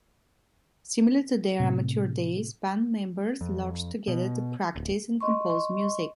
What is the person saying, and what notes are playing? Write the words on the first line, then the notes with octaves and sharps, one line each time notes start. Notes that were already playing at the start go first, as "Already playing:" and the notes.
Similar to their amateur days, band members lodged together to practise and compose music.
A2 C3
F2
B2
D1
D#5 C6 C#6